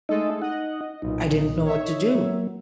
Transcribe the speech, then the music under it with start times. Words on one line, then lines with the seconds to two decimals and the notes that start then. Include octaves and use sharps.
I didn't know what to do.
0.09 G#3 A3 D#4 A4 D#5
0.42 D#4 D#5 F#5
1.02 B1 A#2 D#4
1.64 C#5 E5
2.15 F#3 A#3